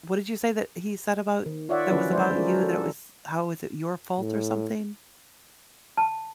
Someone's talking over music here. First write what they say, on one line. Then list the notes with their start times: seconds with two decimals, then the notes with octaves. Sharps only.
What did you say that he said about that was about you, that it was how was it your fault or something?
1.46 D#3
1.69 F4 C#5 D5 E5 F#5
1.90 D3 F3 F#3 C#4 E4 B4
2.11 G#3 C5 D5 E5
2.34 C#4 D4 F4 G#4 A#4
2.60 F#4 A4
4.20 A2
5.97 A5